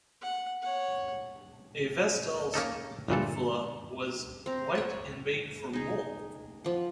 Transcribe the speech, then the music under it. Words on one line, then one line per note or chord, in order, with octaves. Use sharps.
A vestal's infula was white and made from wool.
F#5
C#5 F#5
A#3 C#4 D#4 A4
G1 A#2 E3 A4
C4 A#5
C#5 F#5
D#4 G#4
F3 F#5